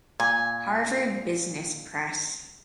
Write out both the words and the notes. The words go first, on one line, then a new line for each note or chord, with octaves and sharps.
Harvard Business Press.
A#2 G#5